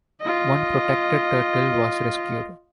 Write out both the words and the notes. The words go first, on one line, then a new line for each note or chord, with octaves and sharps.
One protected turtle was rescued.
F4 D#5